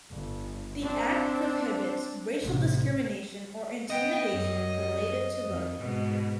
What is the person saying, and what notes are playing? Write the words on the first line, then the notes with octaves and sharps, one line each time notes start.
The Act prohibits racial discrimination or intimidation related to voting.
G1
C4 D4
A1 C3
B3 D#5 G5
F#2
F2
G#2 B2